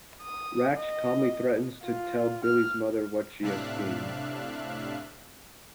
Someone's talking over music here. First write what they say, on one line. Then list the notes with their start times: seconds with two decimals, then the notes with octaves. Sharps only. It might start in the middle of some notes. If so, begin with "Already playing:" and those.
Ratched calmly threatens to tell Billy's mother what she has seen.
0.21 D#6
0.75 D#5
1.85 F4
2.44 F6
3.42 A2 C3 D4 E5 F5 F#6